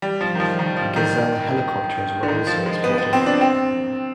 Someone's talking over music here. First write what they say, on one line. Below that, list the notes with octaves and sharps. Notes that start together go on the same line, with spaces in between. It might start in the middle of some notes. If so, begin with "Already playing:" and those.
Gazelle helicopters were also exported.
G3
F3
D#3
F3
D#3
F3
D#3
D3
D#3
F3
G#3
B3
B3
C4
D4
C4